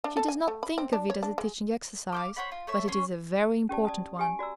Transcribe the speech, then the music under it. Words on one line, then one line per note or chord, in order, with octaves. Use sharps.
She does not think of it as a teaching exercise, but it is a very important one.
D4
A4
G#5
A3
B5
C4
D4
C#5
D4
G#3
F5 G5 D6
C5 C#5 F#5 B5
F4
A3 C#5 E5
C#4 C#5 C6
C#4 G4 D5 A5
D5 A5 D#6
G4 G#5
F#4 D5 A#5 E6